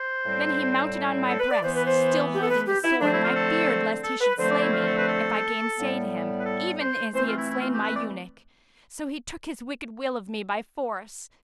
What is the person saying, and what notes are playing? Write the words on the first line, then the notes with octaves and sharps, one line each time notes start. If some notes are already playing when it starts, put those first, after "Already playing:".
Then he mounted on my breast, still holding the sword, and I feared lest he should slay me, if I gainsaid him, even as he had slain my eunuch; so he took his wicked will of me by force.
Already playing: C5
A2 G3 C4
A4
B4
D5
E3 B3 C5
B4
C5
G4
A4
B4
G4
E4
D3 F3 A3 C4 D4
E4
F4
A4
A4
B4
D3 F3 A3 C4 C5
D5
E4
F4
A4
B4
A4
A2 G3 B3
B4
A4
C5
E3 A3 C4 C5
F4
E4
E4
F4
G4
B4
D5